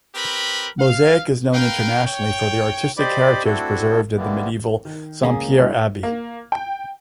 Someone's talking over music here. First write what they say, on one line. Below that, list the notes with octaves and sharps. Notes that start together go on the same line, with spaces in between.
Moissac is known internationally for the artistic heritage preserved in the medieval Saint-Pierre Abbey.
C4 G4 A#4 B4 B5
F5
A#4 B4 F5 G5
C#5 G5
G4 C5 D5 D#5 B5 D6
A3 C4 D4 E4 F#4 A4
B2 D3 E3 G3 A#3 B3
D#3
C#2 A#3 C#4 G#4
G2 E4
A#3
G5